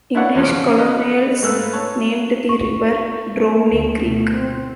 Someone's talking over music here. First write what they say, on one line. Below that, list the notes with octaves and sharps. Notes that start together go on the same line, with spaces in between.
English colonials named the river "Drowning Creek".
D4 E4 B4 C#5 D5 F#5
E2 C#3 F3 C#4
B4 D#5
G#2 A3 A#3 B4 E6 F#6
C#5 A5
C#6
A3
D2
B2 A3
C4